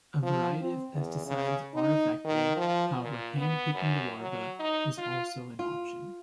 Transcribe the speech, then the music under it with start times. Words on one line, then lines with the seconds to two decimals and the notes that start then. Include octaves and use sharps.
A variety of pesticides are effective; however, hand-picking the larvae is also an option.
0.23 F3
0.60 C4
0.93 E2
1.26 C#3
1.74 D#4
2.25 D#3
2.57 F3
3.01 A#2
3.37 B3
3.75 F#2
4.19 F#3
4.59 D#4
4.98 F4
5.59 F4